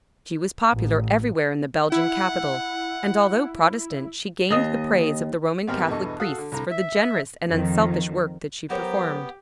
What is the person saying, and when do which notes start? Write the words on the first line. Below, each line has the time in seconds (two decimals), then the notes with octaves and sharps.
She was popular everywhere in the Belgian capital, and although Protestant, she gained the praise of the Roman Catholic priests for the generous and unselfish work that she performed.
0.74 A1
1.92 E4 F#5
4.51 D#2 D#5 D#6
5.67 G#1 B3 C4 G4 A#4 F6
5.88 E2 G2 B2 A4 D#5 C#6
6.20 F#4 A4 F5 D#6 F#6
6.38 D3
6.52 C2 D3 A#5
6.70 E5
7.49 F2 D#3
8.70 F#3 B3 G4 A#4 C5 C#5